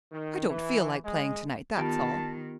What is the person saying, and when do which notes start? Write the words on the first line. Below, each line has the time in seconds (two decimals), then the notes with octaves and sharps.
"I don't feel like playing to-night; that's all."
0.13 D#3
0.50 E3
1.05 G#3
1.76 D#3 B3 F4 G4 A5